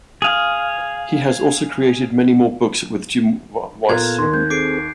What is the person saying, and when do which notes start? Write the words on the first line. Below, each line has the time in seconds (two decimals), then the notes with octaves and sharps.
He has also created many more books with Jim Wiese.
0.22 G#4 F5
3.89 A#2 B3 F4 A4 A#4 F#6 G#6
4.18 D#2 D#3 C6
4.34 G#3 A#3 C4 G6
4.50 C4 G#4 A4 D6 C7 D7